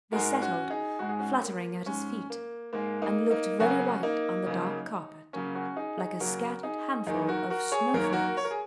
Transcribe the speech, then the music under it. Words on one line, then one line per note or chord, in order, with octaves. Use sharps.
They settled, fluttering at his feet, and looked very white on the dark carpet, like a scattered handful of snow-flakes.
G#2 G#3 F#4 A#4
C#4 F#4
D#4 G#4
G#2 G#3 F#4
G#4
C#4 F#4
A#3
G#2 G#3 C#4
A#3
G#2 G#3 A#3
A#3 D#4
A#3 D#4
C#3 F#3 A#3 C#4 F#4
A#3 D#4
C#3 F#3 A#3
C#3 F#3 A#3 C#4
C#4 F#4
D#4 G#4
D#4 G#4
C#3 F#3 A#3 F#4 A#4
D#4 G#4
F#2 D#3 A#3 D#4 G#4
F#4 A#4
F#4 A#4
G#4 C#5
F#2 D#3 A#3 A#4
C#5
F#4 A#4
C#5
A#4
G#4